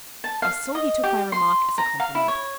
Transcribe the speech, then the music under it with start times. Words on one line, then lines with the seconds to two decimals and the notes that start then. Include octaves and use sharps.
I saw he took my remark as a compliment.
0.24 A5
0.42 F5
0.75 D#5
1.04 G4
1.32 C6
1.78 A#5
2.00 F5
2.15 E4
2.28 C#5